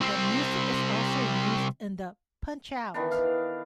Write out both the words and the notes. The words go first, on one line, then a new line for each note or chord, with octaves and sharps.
The music is also used in the Punch-Out!!
C2 C4
D#3 E3 B3 D4
F5